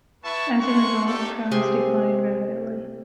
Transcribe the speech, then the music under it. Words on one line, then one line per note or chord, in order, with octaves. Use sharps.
As a result, crowds declined rapidly.
B3 E4 B4 E5 A5 C#6
G#3 A3 F#5 C6 C#6
D4 D#4 G4 A4
C3 G#4 G#5 C6